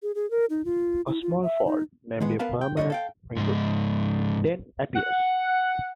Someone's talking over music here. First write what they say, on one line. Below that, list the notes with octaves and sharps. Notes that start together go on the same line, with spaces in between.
A small fold, namely a permanent wrinkle, then appears.
G#4
G#4
A#4
D#4
F4
E4
F4
E5
D#4
D#3 G#3 B3
B3 A#4 B4 F5 A5
G5
C2 G2 F3 G3 C#5 D#5
A4 F5 G5
C#2 G#2
F#5